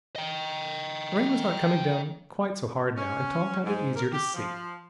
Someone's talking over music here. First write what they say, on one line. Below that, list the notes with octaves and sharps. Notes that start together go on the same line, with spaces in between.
The rain was not coming down quite so hard now, and Tom found it easier to see.
D#5 G5
C#4
G#2
A#4
G4
F3